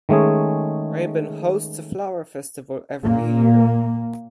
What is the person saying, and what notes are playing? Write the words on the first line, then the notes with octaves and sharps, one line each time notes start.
Rebun hosts a flower festival every year.
D#3 G#3 A3 C#4 G#4
A#2 A#3